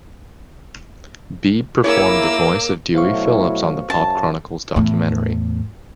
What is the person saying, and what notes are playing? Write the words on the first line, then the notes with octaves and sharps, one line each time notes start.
Beebe performed the voice of Dewey Phillips on the Pop Chronicles documentary.
A#3 E4 G#4 A#4 C#5 D6 E6
B2 F#3 A3 E4 C5 F5 C#6
F#2 A5
E2 A2